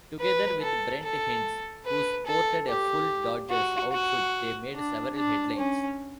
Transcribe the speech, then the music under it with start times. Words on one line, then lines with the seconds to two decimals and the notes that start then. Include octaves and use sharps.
Together with Brent Hinds who sported a full Dodgers outfit they made several headlines.
0.21 B4
0.62 A4
1.03 A4
1.86 B4
2.27 A4
2.68 G4
3.50 F#4
3.92 F#4
4.74 D4
5.15 D4
5.57 C#4